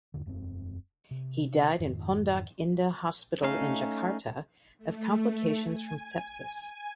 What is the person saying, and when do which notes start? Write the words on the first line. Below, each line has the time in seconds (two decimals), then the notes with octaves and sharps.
He died in Pondok Indah Hospital in Jakarta of complications from sepsis.
0.14 E2 G2 D3
0.26 E1 F#2 A3 C4
1.11 C3
1.80 F2 G#2 D#3
3.43 A3 C#4 D#4 F5
4.78 A3
5.64 G#5